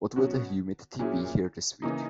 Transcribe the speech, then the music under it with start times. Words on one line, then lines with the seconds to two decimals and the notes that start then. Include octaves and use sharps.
What will the humidity be here this week?
0.16 B2 F#3 C#4 F#4
0.99 A#2 F#3 C#4 E4 G#4
1.82 C#3 E3 A#3 D#4